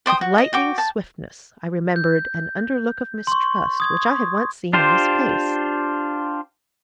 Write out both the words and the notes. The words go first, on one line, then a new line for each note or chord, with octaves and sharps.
With lightning swiftness I remembered an under-look of mistrust which I had once seen on his face.
C5 D5 G5 D#6
F#4
D#5
F#4 G5 D6
A5
G6
C6 C#6
D#6 G#6
D4 F4 G4 C5